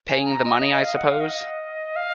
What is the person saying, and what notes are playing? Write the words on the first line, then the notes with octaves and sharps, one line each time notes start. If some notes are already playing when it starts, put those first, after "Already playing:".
Paying the money, I suppose?
G#5
A#5
D#5
D#5
F5
F#5
F5
D#5
F5